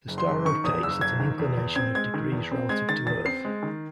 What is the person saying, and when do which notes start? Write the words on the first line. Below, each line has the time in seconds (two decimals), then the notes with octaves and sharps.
The star rotates at an inclination of degrees relative to Earth.
0.08 F#1
0.18 C6
0.27 F#1
0.45 D#3 C#6
0.64 E2 D#6
0.83 F#1 E6
1.01 F#1 G#6
1.20 D#3
1.39 E2
1.57 E2
1.76 C4 G#6
1.95 G#3 G#6
2.14 D#3
2.32 E2
2.51 C4
2.69 G#3 G#6
2.89 D#3 A6
3.06 E2 A6
3.26 C4 C7
3.45 G#3
3.63 D#3